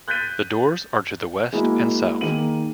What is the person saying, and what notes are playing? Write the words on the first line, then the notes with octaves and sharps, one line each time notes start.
The doors are to the west and south.
F#6 G6 A6 B6 D#7
G#3 A#3 E4 F#4
D#3 A#3 G#4 D#7 F#7